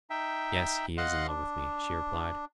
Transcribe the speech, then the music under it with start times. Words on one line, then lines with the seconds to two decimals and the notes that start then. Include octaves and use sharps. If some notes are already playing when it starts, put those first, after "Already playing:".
"Yes, he is in love with me," she replied.
0.10 D#4 E5 G5
0.98 D#5 F5 F#5 C6 F#6
1.28 D4